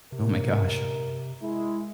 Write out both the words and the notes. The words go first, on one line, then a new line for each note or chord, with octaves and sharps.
Oh my gosh.
C3 A#4
G#3 E4